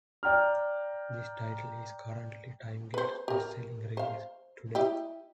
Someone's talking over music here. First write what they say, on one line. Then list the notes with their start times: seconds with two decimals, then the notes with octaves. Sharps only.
This title is currently TimeGate's best-selling release to date.
0.23 D5 G5 A#5 F6
2.94 B4 C5
3.28 G4 A#4
3.97 C5 F5
4.75 E4 G4 D#5